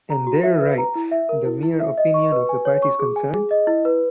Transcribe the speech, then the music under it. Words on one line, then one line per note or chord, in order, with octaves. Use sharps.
And there writes ""The mere opinion of the parties concerned?
A#5
F#4
E5
B4
A#5
E4
E5
A#4
E4
E4
E5
D#5
C#6
B4
G#5
C#5
C#6
G#4
G#5
G#4
D#5
E4
B4